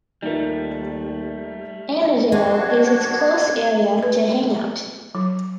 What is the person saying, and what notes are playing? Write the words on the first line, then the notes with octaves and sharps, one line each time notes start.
Annadale is its close area to hangout.
D#2 G3 A3 D#4 F4 A#4
C4 D4 F#4 G#6
B4
F#3